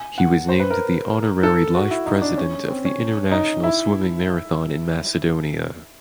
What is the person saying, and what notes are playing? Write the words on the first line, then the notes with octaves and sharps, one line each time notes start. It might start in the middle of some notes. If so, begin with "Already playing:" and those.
He was named the Honorary Life President of the International Swimming Marathon in Macedonia.
Already playing: G#5
F#5
C5
B4
A#4
A4
F#4
E4
D#4
D4
C#4
C4
C#4
D#4
E4